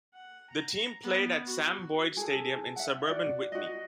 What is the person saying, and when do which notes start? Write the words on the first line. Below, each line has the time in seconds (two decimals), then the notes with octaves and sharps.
The team played at Sam Boyd Stadium in suburban Whitney.
0.14 F#5
0.51 A#5
1.03 B3
1.46 F#4
2.17 G#4 A4
2.76 E5 F#5
3.09 F#4 D5
3.52 F#4 D#5